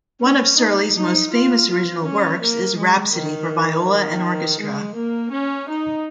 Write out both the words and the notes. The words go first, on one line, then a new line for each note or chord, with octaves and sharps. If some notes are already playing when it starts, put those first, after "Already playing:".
One of Serly's most famous original works is "Rhapsody for Viola and Orchestra".
C#4
D#4
D#4
F4
F4
C#4
A#3
G#3
D#3
D#3
G#3
A#3
C#4
D#4